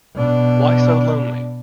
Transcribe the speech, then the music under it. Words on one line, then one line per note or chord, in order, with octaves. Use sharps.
Why So Lonely?
B2 D4